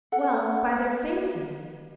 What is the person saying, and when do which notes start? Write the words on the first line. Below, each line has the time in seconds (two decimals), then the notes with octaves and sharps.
'Well, by their faces....'
0.12 A4 F#5